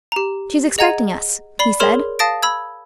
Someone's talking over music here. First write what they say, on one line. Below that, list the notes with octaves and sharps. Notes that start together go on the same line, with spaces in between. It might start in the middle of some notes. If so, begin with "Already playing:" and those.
"She is expecting us," he said.
G4 A#5
G#4 D#5 F#5 A#5 G#6 D#7
D5 B5 C7 G7
G#4 A#4 C#5 C6 F6 E7
F5 A5 D#6 A6 A#6 D7
B5 E6 G#6